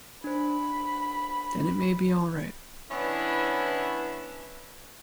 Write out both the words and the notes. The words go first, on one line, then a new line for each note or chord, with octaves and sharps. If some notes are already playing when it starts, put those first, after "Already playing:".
Then it may be all right.
D4 C5 B5
E3 B3 C#4 D4 E4